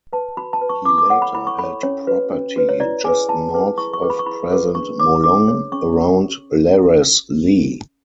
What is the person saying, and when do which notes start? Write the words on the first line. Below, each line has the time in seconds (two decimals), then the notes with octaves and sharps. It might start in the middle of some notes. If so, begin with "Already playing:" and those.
He later held property just north of present Molong, around Larras Lee.
0.13 B4 A5
0.37 F#4 B5
0.53 A5
0.61 B4
0.69 C#6
0.85 E4 D6
0.98 D6
1.10 A4 C#5 F#5
1.22 B5
1.34 E4 B5
1.47 C#6
1.59 A4 C#5 B5
1.83 C#4 C#5
2.07 F#4 B4
2.32 C#4
2.56 F#4 B4
2.69 C#5
2.80 E4 D5
3.04 G#4 B4 G#5
3.28 E4 A5
3.54 G#4 B4
3.78 E4 C#6
3.93 C#6
4.02 G#4 B4
4.10 B5
4.19 C#6
4.26 E4 B5
4.51 G#4 B4
4.75 D4 C#6
4.99 G#4 C#5 D6
5.23 D4 D6
5.47 G#4 C#5
5.72 C#4 C#6